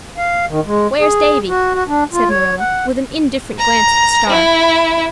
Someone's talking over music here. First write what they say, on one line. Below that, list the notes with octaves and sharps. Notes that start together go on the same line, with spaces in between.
"Where's Davy?" said Marilla, with an indifferent glance at the star.
F5
D#3
G#3
G#4
F#4
F#4
D4
F4
C#5
F#5
A#5
E4